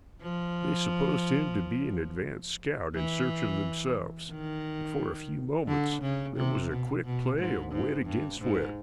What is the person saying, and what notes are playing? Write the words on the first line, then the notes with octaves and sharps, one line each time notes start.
They supposed him to be an advance scout in search of themselves, and for a few moments there was a quick play of wit against wit.
F3
E3
D#3
D3
C#3
C3
B2
B2
G#2
G#2
G2
G#2